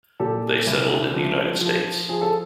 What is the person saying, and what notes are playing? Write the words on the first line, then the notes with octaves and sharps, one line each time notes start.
They settled in the United States.
A#2 G4 A4
C2
F3
F3
F3 G#4
A4